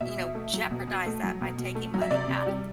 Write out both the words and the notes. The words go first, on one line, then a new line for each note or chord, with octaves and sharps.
you know, jeopardize that by taking money out of
B2 E5
B2
A3
F#3
B2
B2
A3
F#3
B2
B2
A3
F#3
E5
C3 D5
C3
G3